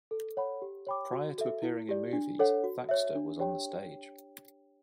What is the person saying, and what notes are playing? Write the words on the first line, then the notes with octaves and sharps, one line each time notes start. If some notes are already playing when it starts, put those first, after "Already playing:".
Prior to appearing in movies, Thaxter was on the stage.
A4
C#5 F#5 B5
G4
C#5 G5 B5 D6
F#4
A4 E5
E4
G4 D5
D4
A4 C#5 F#5
F#4
C#5 E5
D4
G4 C#5 G5